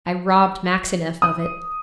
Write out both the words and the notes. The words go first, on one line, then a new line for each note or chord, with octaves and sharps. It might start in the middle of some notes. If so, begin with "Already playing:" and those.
I robbed Maxineff of it.
D#6